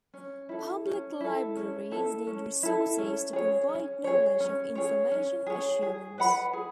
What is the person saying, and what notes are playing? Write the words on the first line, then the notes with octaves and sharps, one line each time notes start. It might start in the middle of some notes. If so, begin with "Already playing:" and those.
Public libraries need resources to provide knowledge of information assurance.
C#4
E4 A4
C#4
E4 A4
C#4
E4 A4
C#4
E4 A4
C#4
G#4 C#5
C#4
G#4 C#5
C#4
G#4 C#5
C#4
G#4 C#5
G#4
B4 F#5 B5
G#4